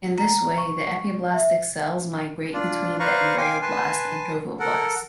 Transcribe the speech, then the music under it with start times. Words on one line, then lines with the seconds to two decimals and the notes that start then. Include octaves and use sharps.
In this way the epiblastic cells migrate between the embryoblast and trophoblast.
0.18 A#5
0.58 C#6
1.34 E5
2.53 D4 F4 D5
2.99 B4 C5 D5 F5 A#5 C#6
3.38 F5 G5 G#5 C6 D6
3.62 B4 G#5 A5 C6
4.60 A4 A#4 F#5